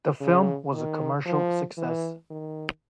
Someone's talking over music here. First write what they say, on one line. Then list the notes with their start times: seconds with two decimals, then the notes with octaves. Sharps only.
The film was a commercial success.
0.21 C#3
0.73 D#3
1.26 F3
1.78 E3
2.30 D#3